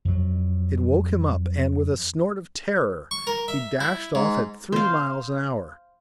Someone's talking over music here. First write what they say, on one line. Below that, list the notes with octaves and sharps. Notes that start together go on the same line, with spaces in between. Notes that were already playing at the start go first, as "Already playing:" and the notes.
It woke him up, and, with a snort of terror, he dashed off at three miles an hour.
F2 F#3
C#6
A#4
E5
E4
G#2
C5 F5